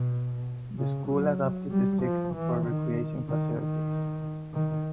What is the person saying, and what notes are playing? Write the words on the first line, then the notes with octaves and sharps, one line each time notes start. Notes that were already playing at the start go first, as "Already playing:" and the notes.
The school adapted the sixth for recreation facilities.
Already playing: B2
C#3
F#3
G3
F3
E3
D#3
D#3
D#3
D#3